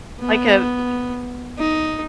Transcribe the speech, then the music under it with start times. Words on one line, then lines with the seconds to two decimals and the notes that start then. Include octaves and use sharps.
Like a b
0.21 B3
1.58 D#4